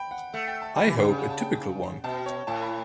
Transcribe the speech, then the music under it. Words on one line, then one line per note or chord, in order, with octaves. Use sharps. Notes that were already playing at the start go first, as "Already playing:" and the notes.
I hope a typical one.
Already playing: G5 B5
F#5
A3 F#5
G5
A5
G3 B5
E3
D3 G5
C#3
F#5
A5
G5
B2 A5
C#5
A2 A5
B5